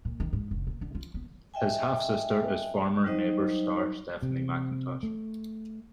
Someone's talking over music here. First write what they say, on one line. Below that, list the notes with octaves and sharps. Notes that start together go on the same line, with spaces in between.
His half-sister is former "Neighbours" star Stephanie McIntosh.
A#2
D#3
G#2
F1
A#2
D3
F4
B3
D#5 E5 G5 G#5
F#3 G3 D#4 C5 D#5
C3
A3